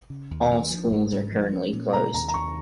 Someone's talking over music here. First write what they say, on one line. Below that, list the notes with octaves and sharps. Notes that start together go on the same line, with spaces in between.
All schools are currently closed.
C#3
D#2
D#2
F3
G#2
G#2
F3
C#4
A#2
C#3 A#5
D#2 A#5
A#5
D#2 C#6